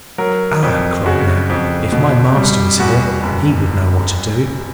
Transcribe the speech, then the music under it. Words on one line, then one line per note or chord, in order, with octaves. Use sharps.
"Ah!" cried Neb, "if my master was here, he would know what to do!"
F#3 A#4
F2
C#3 F#4
F2
B2
G3
E2 F#4
F#1